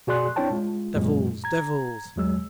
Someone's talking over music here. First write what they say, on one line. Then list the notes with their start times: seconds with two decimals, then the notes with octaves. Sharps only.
Devils! Devils!
0.07 B2 F#4 G#4 D5 C6 F#6
0.36 C4 D4 E4 C#5 G5 A5
0.52 G#3 F4
0.95 F#2 A#2 F#3 G#3
1.44 A#5 G#6
2.16 E2 F#3 G#3 E6